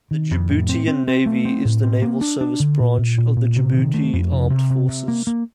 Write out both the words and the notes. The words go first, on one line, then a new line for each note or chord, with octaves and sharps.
The Djiboutian Navy is the naval service branch of the Djibouti Armed Forces.
D#3
F2
A2
C4
C4
C4
A3
C4
A2
C4
A#3
D4
D4
D3
A#2
A#2
A#2
A#2
C3
D#3
A3
F2
C3
C3
C3
C3
A#3
A#3